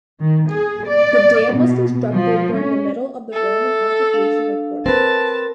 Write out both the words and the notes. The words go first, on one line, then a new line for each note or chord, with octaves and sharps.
The dam was constructed during the middle of the Roman occupation of Portugal.
D#3
G#4
D5
B2
F3
C#4
A4 E5
D4 F5
C4 A#4 B4 A5